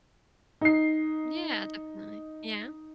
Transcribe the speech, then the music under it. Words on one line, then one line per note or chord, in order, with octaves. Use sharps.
Yeah, definitely. Yeah.
D#4 C7